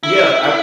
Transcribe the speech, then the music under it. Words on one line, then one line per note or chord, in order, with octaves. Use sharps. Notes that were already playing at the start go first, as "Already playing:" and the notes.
yeah, I
E4